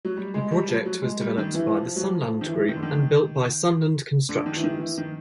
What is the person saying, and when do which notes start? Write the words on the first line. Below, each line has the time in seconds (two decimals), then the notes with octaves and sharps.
The project was developed by The Sunland Group and built by Sunland Constructions.
0.05 F#3
0.17 G3
0.34 G#3
0.51 G3
0.68 F3
0.85 F#3
1.02 G#3
1.20 G3
1.38 D#3
1.54 E3
1.77 F3
1.96 F#3
2.00 F3
2.23 F3
2.41 D#3
2.46 E3
2.69 D#3
2.76 D3
2.82 D#3
4.29 D3
4.46 D#3
4.56 E3
4.63 D#3
4.80 E3
4.97 D#3